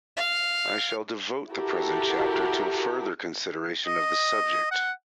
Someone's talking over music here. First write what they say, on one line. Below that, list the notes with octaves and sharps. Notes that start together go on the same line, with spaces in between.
I shall devote the present chapter to a further consideration of the subject.
F5
E4 F#4 G4 A4 A#4
D#5
F#5